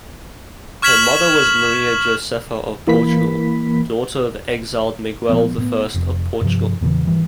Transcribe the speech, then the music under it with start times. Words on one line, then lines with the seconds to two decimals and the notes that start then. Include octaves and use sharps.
Her mother was Maria Josepha of Portugal, daughter of exiled Miguel I of Portugal.
0.82 C#6 F6 G#6 B6 E7 F#7
2.87 E3 A#3 B5 B6
5.29 A#2 F3 G#3 B3
5.58 A2 B3
5.94 F1
6.41 G2 C3 F3
6.81 E2 A#2 C#3 E3
7.07 G#2 D#3 E3 G3